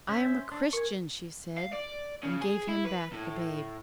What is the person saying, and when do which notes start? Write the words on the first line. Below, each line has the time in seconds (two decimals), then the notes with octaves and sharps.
'I am a Christian,' she said, and gave him back the babe.
0.09 C#4 C5 E5
0.34 C6
0.52 D4
0.73 A#4 G#5 C#6
1.58 F5
1.73 D5
2.23 C#3
2.41 G#4
2.69 E4
2.86 B4
3.13 A2